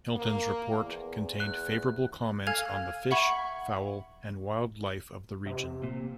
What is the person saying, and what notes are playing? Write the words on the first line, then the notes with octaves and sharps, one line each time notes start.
Hilton's report contained favorable comments on the fish, fowl, and wildlife of the region.
A#3
E2
F#6
A4 F5 G#5 F6 G#6 F7
E5 F#5 B5 C#6 G#6 C#7
C3
A#2